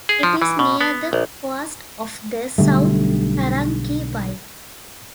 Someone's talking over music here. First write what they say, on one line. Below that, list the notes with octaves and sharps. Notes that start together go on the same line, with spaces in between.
It is near the coast of the South Taranaki Bight.
G#4
F3
E3
B2
B3
A#1
B1 D3 G3 A3